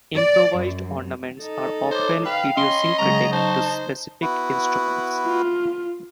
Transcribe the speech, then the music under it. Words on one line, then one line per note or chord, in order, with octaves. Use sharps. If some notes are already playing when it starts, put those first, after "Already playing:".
Improvised ornaments are often idiosyncratic to specific instruments.
D5
F#2
D#4 A4
C5 C#5 D6
B4 F5 G5
C#4 D#5 C6
C#3 F#3 G#3 A#5 C#6
D#4 C5 A5
B3 E4 F#4
F4